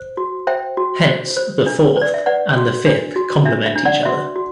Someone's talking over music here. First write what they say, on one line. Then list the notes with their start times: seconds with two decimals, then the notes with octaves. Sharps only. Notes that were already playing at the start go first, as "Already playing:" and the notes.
Hence the "fourth" and the "fifth" complement each other.
Already playing: C5
0.17 F#4
0.47 C5 E5 G5
0.77 F#4
1.07 C5
1.37 C5
1.66 D4
1.97 B4 D5
2.14 E5
2.26 B4 D5 F#5
2.56 F#4
2.86 D4
3.16 F#4
3.45 D4 E5
3.66 E5
3.76 D4
3.85 D5 F#5
4.05 F#4 E5
4.36 F#4